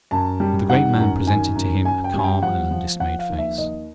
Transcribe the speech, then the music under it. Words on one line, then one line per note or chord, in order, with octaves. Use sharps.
But the great man presented to him a calm and undismayed face.
F#2 A5
G3
D#3 F#5
F#2
D#3 G#5
F#2
F#2 G#5
G5
G3 G#5
G5
F3 F#5
F3
F3 F#5
F5
D#2
E5
D#2 D#5